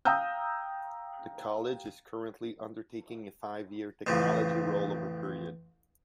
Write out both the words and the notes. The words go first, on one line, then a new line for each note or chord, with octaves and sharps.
The College is currently undertaking a five-year technology roll over period.
F5 G5 A#5 D#6 E6 G6
A1 F2 C#3 F3